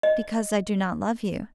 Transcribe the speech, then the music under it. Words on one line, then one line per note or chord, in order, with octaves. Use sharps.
"Because I do not love you."
D#5